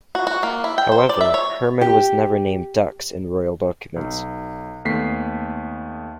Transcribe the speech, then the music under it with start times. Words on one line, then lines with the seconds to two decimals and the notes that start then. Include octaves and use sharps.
However, Hermann was never named "dux" in royal documents.
0.15 F#4
0.27 F#4
0.43 A#3
0.64 E4
0.78 G5
0.92 C5
1.09 D5
1.21 E5
1.34 C#5
1.81 G4
3.96 B1
4.85 D#2 A3 B3 B6 C7